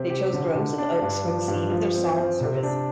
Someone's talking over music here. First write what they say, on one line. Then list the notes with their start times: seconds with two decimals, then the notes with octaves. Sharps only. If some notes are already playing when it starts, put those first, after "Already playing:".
They chose groves of oaks for the scene of their solemn service.
Already playing: C3 C4
0.10 G4
0.33 D3
0.55 D3
0.78 D4
1.02 G2
1.24 F3
1.48 G2
1.71 F3
1.94 C4
2.16 C4
2.40 C3
2.63 D4